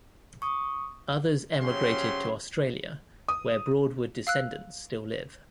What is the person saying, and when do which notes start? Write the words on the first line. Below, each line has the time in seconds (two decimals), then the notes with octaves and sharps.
Others emigrated to Australia, where Broadwood descendants still live.
0.42 C#6 D#6
1.61 C#3 F#3 C#4 G4 C5 C6
3.28 D#6
4.27 F5 E6 F#6